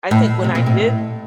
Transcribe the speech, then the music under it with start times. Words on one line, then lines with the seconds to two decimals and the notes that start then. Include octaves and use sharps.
I think when I did
0.11 A2
0.44 C3
0.55 A#2
0.66 A2